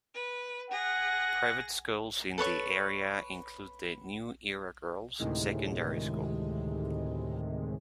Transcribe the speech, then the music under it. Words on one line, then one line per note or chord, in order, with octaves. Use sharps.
Private schools in the area include the New Era Girls Secondary School.
B4
G#4 F#5 A#6
A4 B4 C#5 C#6
D2 A2 C3 D#3 G#3